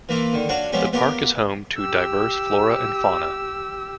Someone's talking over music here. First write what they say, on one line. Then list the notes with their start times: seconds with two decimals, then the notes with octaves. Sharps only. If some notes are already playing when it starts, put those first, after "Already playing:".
The park is home to diverse flora and fauna.
0.09 E3 A#3 E4 F4
0.33 D3 D#3
0.49 D4 F4 F#4 C#5 F#5
0.72 F3 G3 G#3 B3 C#4
0.93 B3 F4 G4 A#4
1.78 G4 E6